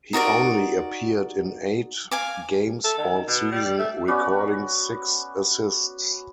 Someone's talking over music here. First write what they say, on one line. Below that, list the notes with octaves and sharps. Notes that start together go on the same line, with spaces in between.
He only appeared in eight games all season, recording six assists.
D#4 F#4 A#4 D5
F5 G#5 D6
A4
D#3
B2
G3
A3
B3 C#4 F#4 D5